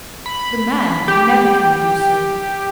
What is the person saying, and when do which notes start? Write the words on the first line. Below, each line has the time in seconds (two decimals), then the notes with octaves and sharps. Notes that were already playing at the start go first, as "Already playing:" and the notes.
The man never can do so.
0.26 B5
1.08 G4